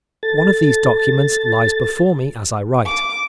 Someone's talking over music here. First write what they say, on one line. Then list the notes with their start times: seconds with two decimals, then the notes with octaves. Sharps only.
One of these documents lies before me as I write.
0.23 A4 A6
2.86 D6